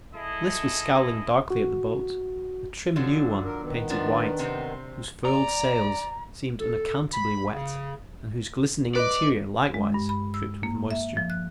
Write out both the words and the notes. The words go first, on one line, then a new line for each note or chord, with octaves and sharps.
Bliss was scowling darkly at the boat, a trim new one, painted white, whose furled sails seemed unaccountably wet and whose glistening interior likewise dripped with moisture.
E4 G#4 A4 D#5
F#4
D3 F3 F#3
A#4
D#3 B3
G#2 F3 D4
C3 C4
D5 A#5
A4
B5
C#3
B4 D5 D#5
G#3
G2
B5
E6
A#3
E5
F3
F#6